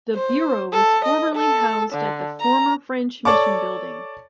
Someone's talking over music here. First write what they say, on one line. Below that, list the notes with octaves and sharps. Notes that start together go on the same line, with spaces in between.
The bureau was formerly housed at the Former French Mission Building.
C5
A4
D#5
A4
D3
A#5
A4 C#5 D5 A5 C#6 D6